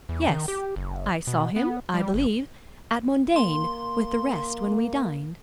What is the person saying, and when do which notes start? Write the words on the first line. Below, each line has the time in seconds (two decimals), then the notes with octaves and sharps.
"Yes, I saw him, I believe, at Modane with the rest when we dined."
0.09 E2
0.30 D#3
0.48 G4
0.76 F#1
1.27 B2
1.56 B3
1.94 G3
2.14 G1
3.36 A#3 C6